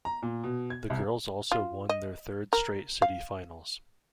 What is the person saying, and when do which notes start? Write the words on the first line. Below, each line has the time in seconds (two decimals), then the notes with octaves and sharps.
The girls also won their third straight city finals.
0.05 A#5
0.22 A#2
0.44 B2
0.70 G#6
0.90 C2
1.51 F4
1.89 D#5
2.53 A#4
3.02 F5